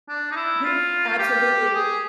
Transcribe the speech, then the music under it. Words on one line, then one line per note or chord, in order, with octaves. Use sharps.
The absolutely.
D4
D#4
E4
F4
G4
G#4